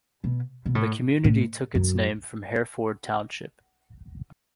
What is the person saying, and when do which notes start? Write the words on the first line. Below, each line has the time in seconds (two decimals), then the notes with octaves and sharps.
The community took its name from Hereford Township.
0.24 B2
0.66 B2
0.75 A2
1.24 A2
1.75 F#2